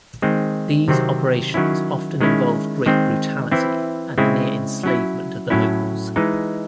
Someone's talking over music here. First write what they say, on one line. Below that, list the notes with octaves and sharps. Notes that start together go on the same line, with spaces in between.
These operations often involved great brutality and the near enslavement of the locals.
D#3 G#3 C4
C3 D#3 F#3 C4
D#3 F#3 C#4 E4
D#3 G#3 C#4 E4
D#3 G#3 C4
E3 C4 E4
C#3 G#3 C4 E4
F#3 C#4 E4
A2 F#3 C#4 E4
E3 G#3 D#4